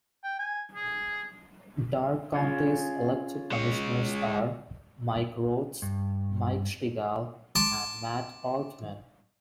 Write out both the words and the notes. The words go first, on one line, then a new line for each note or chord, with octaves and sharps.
Darke County's elected commissioners are: Mike Rhoades, Mike Stegall, and Matt Aultman.
G5
G#5
G#4
C#4 F4 G#4
G#3 C#5
G2
A5 C6 D6